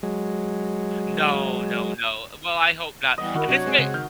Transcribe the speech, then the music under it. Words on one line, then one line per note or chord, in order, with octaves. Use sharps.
No, no, no. Well, I hope not and this may
F#3 G#3
E3 G3 B3 D#5
D#3 E4 F#4 A#4
C3 F#3 D4 C#5 F#5
G#3 C4 G#4
C#3
D#3 F6 G6